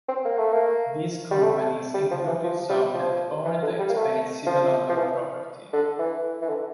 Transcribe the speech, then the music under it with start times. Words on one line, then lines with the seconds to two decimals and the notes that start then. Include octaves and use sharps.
These companies included some that owned expensive London property.
0.08 C4
0.25 A#3
0.38 A3
0.52 A#3
1.31 G3
1.43 A3
1.94 G3
2.11 F3
2.27 E3
2.44 F3
2.70 G3
2.94 F3
3.45 E3
3.62 D3
3.79 G3
3.89 A#3
3.96 A3
4.47 F3
4.89 F3
4.97 E3
5.73 D3
5.99 E3
6.42 E3
6.48 D3